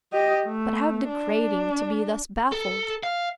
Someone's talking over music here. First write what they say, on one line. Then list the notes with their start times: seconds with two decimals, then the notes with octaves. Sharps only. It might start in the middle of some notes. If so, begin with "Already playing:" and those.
But how degrading to be thus baffled!
0.13 G4 D#5
0.46 A3
1.08 D4
2.52 A4
3.03 F5